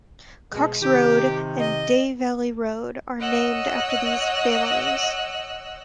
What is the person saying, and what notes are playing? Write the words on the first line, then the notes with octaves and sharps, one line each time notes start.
Cox Road and Day Valley Road are named after these families.
B2 G#3
C3 D#3 G4
D#5
C#5 D#5 F#5 E6 F#6